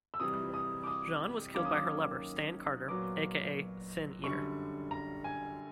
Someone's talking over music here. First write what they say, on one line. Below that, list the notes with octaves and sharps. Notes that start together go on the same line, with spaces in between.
Jean was killed by her lover Stan Carter, aka Sin-Eater.
E6
C3 E3 G3 D#6
D#6
D6
D#6
D#3 F#3 A#3 C#4 D6
D#6
D6
A#2 F#3 B3 D6
F#2 D3 G3 C#6
A#5
G#5